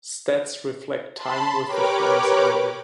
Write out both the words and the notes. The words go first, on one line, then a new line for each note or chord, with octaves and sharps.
Stats reflect time with the Flames only.
A5 B5 C6
G4 A#4 B4 C#5 B5 D6